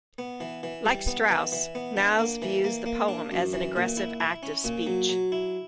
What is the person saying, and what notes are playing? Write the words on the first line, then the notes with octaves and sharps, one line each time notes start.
Like Straus, Niles views the poem as an aggressive act of speech.
B3
E3
E3
G3
B3
E3
E3
B3
D4
A#3
E3
A#3
A#3
D4
F#2
E3
A#2
E4
E4
C#4
A#2
F#3
F#3
E4